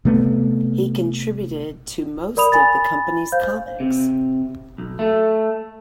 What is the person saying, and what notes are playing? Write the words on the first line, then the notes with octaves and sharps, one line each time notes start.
He contributed to most of the company's comics.
C3 A3 B3
A#4 D5 B5 D#6 F7
G#5 B5 A6
C5 F5 G6
C3
B1
A3